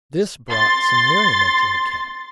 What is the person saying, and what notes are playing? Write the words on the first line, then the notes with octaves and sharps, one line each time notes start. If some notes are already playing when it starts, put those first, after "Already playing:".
This brought some merriment in the camp.
C6 A6